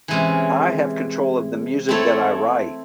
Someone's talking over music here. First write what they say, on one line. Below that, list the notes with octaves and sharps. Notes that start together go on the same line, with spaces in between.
I have control of the music that I write,
C3 E3 G#3 C#4
A3 C4 E4 A4 C#5